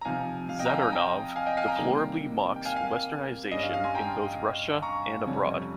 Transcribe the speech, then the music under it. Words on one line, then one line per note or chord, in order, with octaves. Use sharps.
Zadornov deplorably mocks westernization in both Russia and abroad.
A#5
C3 F3 C4 D#4 F5 G#5
F5
D#5 G5
A#5
F5 G#5
G5 A#5
G5 A#5
F5 G#5
D#5 G5
F5 G#5
G5 A#5
C3 D#3 G3 A#3
G5
F5 G#5
F5
F5
G2 G3 C#4 D#5
F5
F5
G#5 C6
G5 A#5
A#5 C#6
F2 C3 G3 C#4